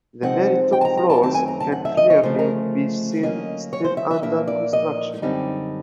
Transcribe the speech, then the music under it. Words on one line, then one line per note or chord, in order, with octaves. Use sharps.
The very top floors can clearly be seen still under construction.
C3 F3 G#3 C4 D#4 F#5
G5
A5
A#5
A#5
A5
F#2 D#3 F#3 A3 C4 A5
G#5
A#5
A5
F#5
E5
D#5
C#5
D2 C#3 F3 A3 C5
A#4
D2 D3 F#3 A#3 C#4 D#5
C#5
C5
E5
E5
A#2 F3 A#3 D4 E5
D5
D#5
F#2 D3 G3 C4 D#4